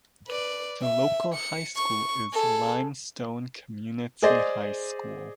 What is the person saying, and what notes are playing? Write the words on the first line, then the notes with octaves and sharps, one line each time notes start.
The local High School is Limestone Community High School.
B4 D5
E5
C#7
C#6
G#4 A4
G#4 C5 D5 D#5